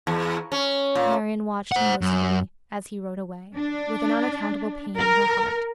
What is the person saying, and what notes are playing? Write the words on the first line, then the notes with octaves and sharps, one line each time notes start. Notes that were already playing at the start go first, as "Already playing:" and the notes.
Marian watched him wistfully as he rode away, with an unaccountable pain in her heart.
E2
C#4
A#2
C5 F#5
F#2
D4
A#4